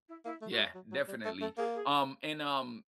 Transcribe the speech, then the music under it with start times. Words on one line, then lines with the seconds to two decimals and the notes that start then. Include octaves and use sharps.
Yeah, definitely, um and, um,
0.08 E4
0.25 A#3 E4
0.42 A3
0.50 F#4
0.58 G#3
0.75 F#3
0.91 F#3
1.08 G3
1.24 A3 A4
1.41 A3 A4
1.58 A#3 G#4
1.74 G#4